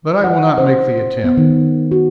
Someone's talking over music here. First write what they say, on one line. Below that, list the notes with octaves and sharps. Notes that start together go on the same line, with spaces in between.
But I will not make the attempt.
F#5
C5
B3
D#3
F#4